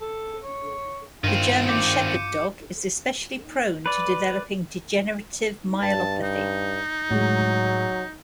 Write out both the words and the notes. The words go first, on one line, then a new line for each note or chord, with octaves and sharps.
The German Shepherd Dog is especially prone to developing degenerative myelopathy.
A4
C#5
G2 D#3 C4 F4 D#7
D6 G6 C#7
C#7
B4 D5
G2 A5
D#4
A2 F#3 G#3